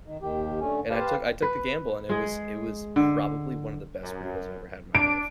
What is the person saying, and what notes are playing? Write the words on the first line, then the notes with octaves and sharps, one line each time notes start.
and I took I took the gamble, and it was it was probably one of the best burritos I've ever had in my life.
D#3
D#2 D#3 G4
D3 A3 C#4
G4 B4 C5 F5 A5
B4
G#3 G#4
D3
F#2
D4 D7